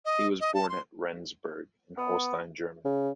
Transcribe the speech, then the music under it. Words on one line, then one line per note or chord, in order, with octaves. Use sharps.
He was born at Rendsburg in Holstein, Germany.
D#5
D#5
A5
C6
B3
C#3